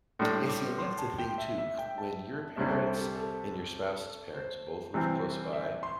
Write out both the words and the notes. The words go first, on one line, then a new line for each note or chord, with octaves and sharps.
And see, and that's the thing too, c when your parents and your spouse's parents both live close by,
A2 G3 D4 C6
D6
C6
A5
G5
E5
E5
G5
A5
C2 C3 G3 D4 E5
A4
C5
G4
A4
A4
C5
C3 E3 G3 C4
E5
C6